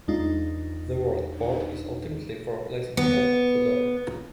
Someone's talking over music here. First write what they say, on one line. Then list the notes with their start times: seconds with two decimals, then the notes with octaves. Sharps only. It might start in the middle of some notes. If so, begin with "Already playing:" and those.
The word "port" is ultimately from Latin "porta" for door.
0.08 E2 G#3 D4 D#4 F4
2.97 B3